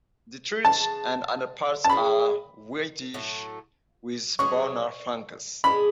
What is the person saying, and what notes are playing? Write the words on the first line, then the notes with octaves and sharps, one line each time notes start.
The throat and underparts are whitish with browner flanks.
C#3 G#3 B3 A5
A5
E3 G#3 C#4 G#4 B5
A2 F#3 A3
F#3 C#4 G#4 C#6
A2 G#3 D4 G#4 B5